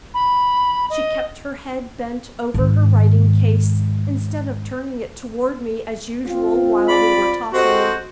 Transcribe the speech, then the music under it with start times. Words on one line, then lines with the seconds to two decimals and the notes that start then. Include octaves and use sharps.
She kept her head bent over her writing-case, instead of turning it toward me as usual while we were talking.
0.14 B5
0.90 D#5
2.54 G#2 D#3
6.26 C4 F4
6.88 D5 B5
7.53 C4 F#4 G4 A4 C5 D#5